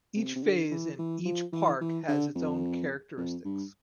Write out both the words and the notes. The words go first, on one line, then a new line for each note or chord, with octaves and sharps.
Each phase and each park has its own characteristics.
C3
C3
D3
E3
E3
F3
E3
E3
D3
F2
F2
G2